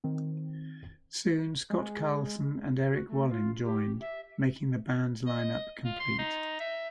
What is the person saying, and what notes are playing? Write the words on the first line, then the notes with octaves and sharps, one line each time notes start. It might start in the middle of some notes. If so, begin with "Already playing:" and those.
Soon Scott Carlson and Erik Wallin joined, making the band's lineup complete.
D#3 C4
G#3
F#4
A3
F4
G4
E5
D#5
F4
C6
D#4
E5